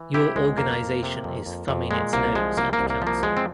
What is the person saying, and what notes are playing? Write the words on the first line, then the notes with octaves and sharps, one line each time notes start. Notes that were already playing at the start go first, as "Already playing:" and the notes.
Your organization is thumbing its nose at the council.
Already playing: E3
C3 E4 G4
C#2 G#3
F2 A#3
F2
C3
F2
F2
F2
A#2 G#3
C2 A#3
F3 G#3
C2 A#3
A#3
C2
A#3
F3 A#3
E2 G#3
C4